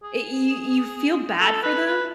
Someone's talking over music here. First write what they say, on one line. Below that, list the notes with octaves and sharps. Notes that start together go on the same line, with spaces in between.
y y you feel bad for them,
G#4
A4
B4
B4